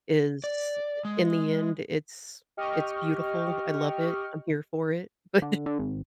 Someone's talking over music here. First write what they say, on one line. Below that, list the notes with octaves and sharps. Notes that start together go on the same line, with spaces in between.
is in the end, it's it's beautiful, I love it, I'm here for it, but
D5
G#3
G4 D#5 G5 C#6 F6
D3
D3
G#1